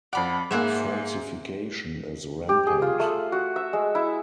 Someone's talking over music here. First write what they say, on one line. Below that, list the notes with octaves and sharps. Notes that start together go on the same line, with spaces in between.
Falsification is rampant.
F2 D5 F#5 B5
G#2 A#3 E5 F#5 G#5
G4
G#4
F4
A3
F#4
E5
G#3
E4